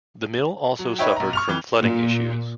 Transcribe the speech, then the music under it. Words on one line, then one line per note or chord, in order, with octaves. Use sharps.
The mill also suffered from flooding issues.
F#3
D#4 B4 C#5 E5 G5
B1 A#5
C#6 F6 F7
F2 E3
A#2